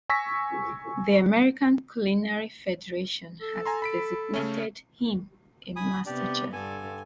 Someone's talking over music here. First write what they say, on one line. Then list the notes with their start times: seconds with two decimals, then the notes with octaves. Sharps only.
The American Culinary Federation has designated him a Master Chef.
0.09 G#5 C#6 E6 A#6 B6
3.42 A4
3.66 G#5 A#5 C6
3.82 B5 B6 D7
4.34 C#3 A3 C#4
5.76 G#5 B5 D#6
6.06 C3 B3 D4 G4 D5
6.53 G2 D3 A4 G#5